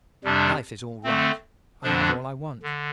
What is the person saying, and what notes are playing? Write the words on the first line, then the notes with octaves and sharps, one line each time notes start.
Life is all right; I have all I want.
F2 C3 G3 D4
D3 A3 C4
F2 D3 F3 D4
D3